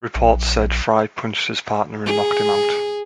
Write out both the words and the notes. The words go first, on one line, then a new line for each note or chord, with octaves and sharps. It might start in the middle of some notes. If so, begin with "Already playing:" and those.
Reports said Fry punched his partner and knocked him out.
A#1
G#4